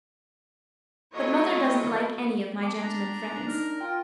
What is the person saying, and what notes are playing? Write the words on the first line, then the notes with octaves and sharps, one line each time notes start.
But mother doesn't like any of my gentlemen friends.
F#3 A3 E4 F4 C#5 D#5
B3 A5 D6
D4 A#5
D4 D#4 A#4
F4 G5